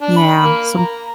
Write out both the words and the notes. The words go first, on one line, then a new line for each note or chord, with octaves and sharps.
yeah, so
D4
B5
A#3
A#5